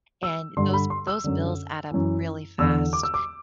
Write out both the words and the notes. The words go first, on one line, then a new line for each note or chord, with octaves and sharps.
and those those bills add up really fast
E6
G2 D3 C6
B5
C6
E6
F#2 D3
F#2 E3
E2 D3 E6
D6
E6
D6